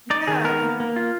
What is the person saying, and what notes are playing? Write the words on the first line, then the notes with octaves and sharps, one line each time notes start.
yeah, b
D#4 D5
D#3 G#4
B3 A#4
A#3
A#3
F4